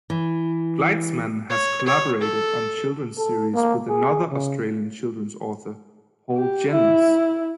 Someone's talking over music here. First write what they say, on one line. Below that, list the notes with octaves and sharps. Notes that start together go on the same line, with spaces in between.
Gleitzman has collaborated on children's series with another Australian children's author, Paul Jennings.
E3
C#5
C#5
A4
A4
A#3
G#4
C#3
G4
E4